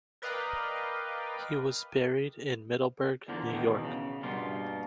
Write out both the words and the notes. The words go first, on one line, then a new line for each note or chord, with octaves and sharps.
He was buried in Middleburgh, New York.
A#4 B4 D5 D#5 F5 G5
E2 D3 F3 A#3
E2 B2 D3 D#3
C#3
G2 B2 A#3 F4